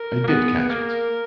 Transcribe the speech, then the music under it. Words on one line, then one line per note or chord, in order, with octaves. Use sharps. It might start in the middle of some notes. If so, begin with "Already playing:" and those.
I did catch it.
Already playing: A#4
A#3
B3 G#4
A#3 A#4